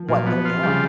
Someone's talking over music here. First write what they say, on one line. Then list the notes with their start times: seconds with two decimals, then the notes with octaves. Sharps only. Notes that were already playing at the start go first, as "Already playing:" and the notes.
what they're doing.
Already playing: F3
0.09 A#2 F#3
0.26 F3 B3
0.45 F4
0.55 C3
0.63 C#3 G3